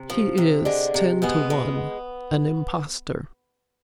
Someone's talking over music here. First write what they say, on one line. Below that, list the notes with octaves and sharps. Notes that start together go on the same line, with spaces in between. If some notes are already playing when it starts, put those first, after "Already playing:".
He is, ten to one, an impostor.
Already playing: C3
F3
C3
D3 G#3 D4
C3
B2 G#3 B3
G#3